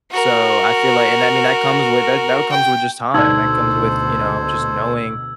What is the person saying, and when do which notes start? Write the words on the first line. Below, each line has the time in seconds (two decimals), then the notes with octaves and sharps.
So, I feel like and, I mean, that comes with that that comes with just time; that comes with, you know, just knowing,
0.12 F#4 A#4
2.51 G5
3.14 D2 B2 D#4 A4 C5 D5 E6 G#6